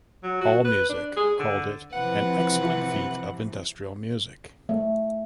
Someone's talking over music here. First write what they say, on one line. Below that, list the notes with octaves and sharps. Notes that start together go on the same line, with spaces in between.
AllMusic called it "an excellent feat of industrial music".
F#3
F#4
B4
D4
G#4
D3
C3 E3 F3 B4 F#5
A3